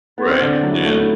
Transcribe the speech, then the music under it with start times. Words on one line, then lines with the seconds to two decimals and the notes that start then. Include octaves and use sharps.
Right, yeah.
0.18 B3
0.29 C4
0.42 D3 D4
0.63 F#3
0.71 E4
0.85 A3
1.00 E4